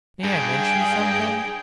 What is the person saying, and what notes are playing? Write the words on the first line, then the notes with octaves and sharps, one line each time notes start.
May I mention something?'
G2 G#4 G5